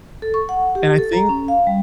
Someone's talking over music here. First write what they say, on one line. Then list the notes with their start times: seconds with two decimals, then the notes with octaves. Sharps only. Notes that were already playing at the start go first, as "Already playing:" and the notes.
And I think
0.22 A4
0.34 C#6
0.49 F#5
0.75 G4
0.98 A4
1.13 A#5
1.29 C#4
1.48 F5
1.67 G3